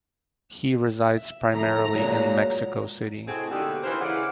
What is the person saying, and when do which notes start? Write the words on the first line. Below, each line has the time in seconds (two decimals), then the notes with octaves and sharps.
He resides primarily in Mexico City.
1.16 E5
1.53 F2 D#3 A3 A#5
1.95 A#2 F#3 G#3 D4
3.27 A2 C3 G#3 C4 F#4 G#4
3.51 G#2 B2 D3 D#3 A#3 G4
3.83 E3 D#4 F4 A#4 C5
4.01 C#3 E3 D5 F5 F#5